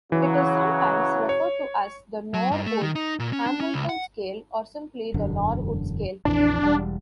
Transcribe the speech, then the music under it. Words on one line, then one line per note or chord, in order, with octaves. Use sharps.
It is sometimes referred to as the Norwood-Hamilton scale or simply the Norwood scale.
C#3 E3 F#3
C#5
F#3
G2
A3
D#3
D#4
A#2
C#4
D4
C#4
C#2
F#5
E1 F#2 D3
A#1 F2 E3 D4
E1 G3